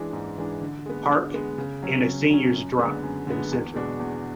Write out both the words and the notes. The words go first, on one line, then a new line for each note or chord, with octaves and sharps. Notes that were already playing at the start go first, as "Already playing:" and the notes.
Park and a Seniors Drop In Centre.
Already playing: E3 G#3 D4
G#2
E3 G#3 D4
D3
G#3 B3
D3
G#3 B3
C#3
F#3 C#4
C#3
F#3 C#4
F#2
D3 G#3 B3
F#2
D3 G#3 B3
E2
B2 G#3 D4 F#4
E2